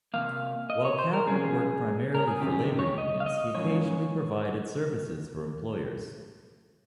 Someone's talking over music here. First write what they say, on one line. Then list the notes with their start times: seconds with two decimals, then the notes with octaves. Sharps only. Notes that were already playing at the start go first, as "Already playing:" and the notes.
While Kaplan worked primarily for labor unions, he occasionally provided services for employers.
0.14 C3 F3 A#3 F5
0.70 D#5
0.85 C#5
0.99 C5
1.13 A#4
1.27 C3 G3 A#3 C#4 G#4
2.15 A#4
2.28 G#4
2.41 C3 D#3 C#4 G4
2.60 G4
2.79 C#5
2.98 D#5
3.20 F5
3.26 D#5
3.55 G#2 F3 A#3 C#4 C#5